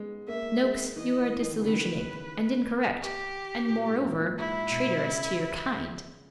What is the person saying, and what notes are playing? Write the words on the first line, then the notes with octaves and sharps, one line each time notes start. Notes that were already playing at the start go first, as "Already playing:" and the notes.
'Noakes, you are disillusioning, and incorrect, and moreover traitorous to your kind.'
Already playing: G#3 B3
A#3 E5
G#3
E3 D#5
E3
E3
D#3
C#3
D#3 B4
G4
A#2
G#2
A#2
A#2
G#2 E4
B2
C#3